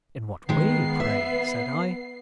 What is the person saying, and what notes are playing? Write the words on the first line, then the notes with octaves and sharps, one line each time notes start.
'In what way, pray?' said I.
D#3 G#3 B3 C7
E5